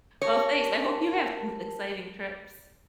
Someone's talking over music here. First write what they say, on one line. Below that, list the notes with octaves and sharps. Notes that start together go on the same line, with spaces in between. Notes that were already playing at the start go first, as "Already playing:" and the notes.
Well, thanks, I hope you have some exciting trips,
G4 A#4 C#5 A5